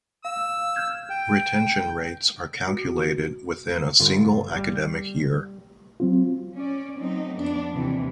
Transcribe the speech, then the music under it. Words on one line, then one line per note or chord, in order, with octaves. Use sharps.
Retention rates are calculated within a single academic year.
F5 E6
F6 G6 G#6
G5
F#4
G1 F4
G3
F#3 C4 F4
C#4 D5
F#3 A3 C4 D#4
F2 B3 D4
D#2 C3 E3